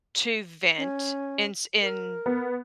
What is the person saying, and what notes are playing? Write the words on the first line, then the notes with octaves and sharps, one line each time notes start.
to vent in s in
C#4
A#4
B3